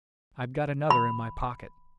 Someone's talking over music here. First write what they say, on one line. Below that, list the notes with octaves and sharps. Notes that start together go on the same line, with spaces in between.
"I've got another in my pocket."
B5